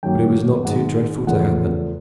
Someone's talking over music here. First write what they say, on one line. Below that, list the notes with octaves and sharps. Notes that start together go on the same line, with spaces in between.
But it was not too dreadful to happen.
F#2 D#3 F#3 A#3 G5
G#2 D#3 G#3 F#5
E2 C#3 F3 A3 F#5